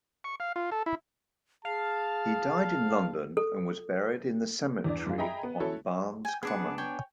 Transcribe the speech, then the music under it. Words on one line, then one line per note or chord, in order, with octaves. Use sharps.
He died in London, and was buried in the cemetery on Barnes Common.
C#6
F5
F4
A4
E4
G#4 F5 A5
A4
E2 G2 D5
F#2 F4
G#4 D#5 E5 G5 A#5 B5
B3
C#4 E4 F#4 A4
G5 G#5
B3 D4 G#4 B4 F#5
C#5 G5 G#5